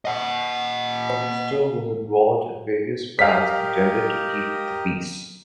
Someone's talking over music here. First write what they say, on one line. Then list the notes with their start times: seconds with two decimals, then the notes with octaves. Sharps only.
Forrester was involved in various bands intended to keep the peace.
0.05 D#5 F#5
3.19 G4 A#4 D#5 F5 B6